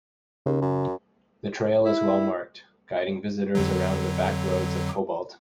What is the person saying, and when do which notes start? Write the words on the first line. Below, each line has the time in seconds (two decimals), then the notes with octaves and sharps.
The trail is well marked, guiding visitors around the backroads of Cobalt.
0.46 D#2 C#3
0.62 F#2
1.85 E4
3.55 F2 D3 F#3